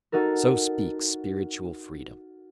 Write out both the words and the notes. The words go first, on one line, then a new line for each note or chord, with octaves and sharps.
So speaks "spiritual freedom."
D#4 F#4 A4 A#4